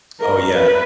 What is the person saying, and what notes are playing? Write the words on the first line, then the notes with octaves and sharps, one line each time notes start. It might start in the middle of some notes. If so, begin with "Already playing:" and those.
Oh, yeah.
A#4
B4